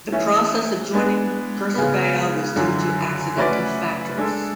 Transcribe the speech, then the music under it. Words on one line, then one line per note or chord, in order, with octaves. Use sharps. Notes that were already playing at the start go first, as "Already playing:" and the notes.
The process of joining Persebaya was due to accidental factors.
E3 A3 C#4
G#3 B3 D4
C#3 G#3 B3
F#2 D3 F#3
A3 C#4 F#4 B4 D5
G#3 D4 A4